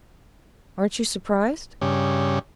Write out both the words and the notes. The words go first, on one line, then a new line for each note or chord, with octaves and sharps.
"Aren't you surprised?"
G2 C#3